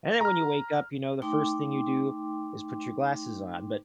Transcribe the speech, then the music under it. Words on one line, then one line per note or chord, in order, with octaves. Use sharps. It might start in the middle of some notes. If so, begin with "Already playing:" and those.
And then, when you wake up, you know, the first thing you do is put your glasses on, but
A#5 F6
A3 D#4 G5 C6 D6